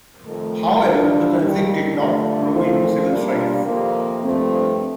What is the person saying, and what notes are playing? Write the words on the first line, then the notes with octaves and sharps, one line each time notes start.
However, the conflict did not grow into civil strife.
F2 D#3 A3
D3 G3 D4 F4
D#2 D#3 G3
G2 D3 A3 D4 F4
A#2 F3 A3 C4 F4
A#2 G3 A#3 D4 F4
F2 C3 D#3 A#3
G2 F3 A3 C4